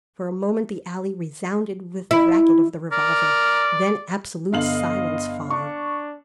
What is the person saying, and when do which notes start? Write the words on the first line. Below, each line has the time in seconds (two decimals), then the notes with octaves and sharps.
For a moment the alley resounded with the racket of the revolver, then absolute silence followed.
2.11 E4
2.92 A#4 D5
4.53 G1 D3 D#5 F5 F#7
5.50 D4 C#6